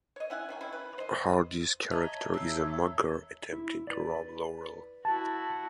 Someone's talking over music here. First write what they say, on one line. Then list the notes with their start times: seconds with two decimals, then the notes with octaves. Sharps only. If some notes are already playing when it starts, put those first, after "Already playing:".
Hardy's character is a mugger attempting to rob Laurel.
0.16 C#5 D#5
0.30 C#4 E4 F#5 G#5
0.49 C3 D#3 C#4
0.61 C3 C#4 E4
0.73 B4
0.98 C5 D#5
1.91 C#5 D#5 E5 A5 A#5
2.34 C4 A4
3.53 E4
3.87 B4 D5
5.05 E4 F#4 A5